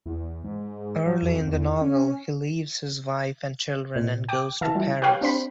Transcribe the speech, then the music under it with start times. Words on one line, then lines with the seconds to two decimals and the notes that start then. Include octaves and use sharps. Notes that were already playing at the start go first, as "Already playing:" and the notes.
Early in the novel, he leaves his wife and children and goes to Paris.
0.06 E2
0.44 G#2
1.06 F#3
1.22 F2
1.47 E2
1.81 C#4
3.96 A#2
4.29 G5 D6
4.61 E3 E5 A5
4.75 G3 E4
5.02 G4 B4 C#5 F5 G5
5.21 C4 D4 C5 B5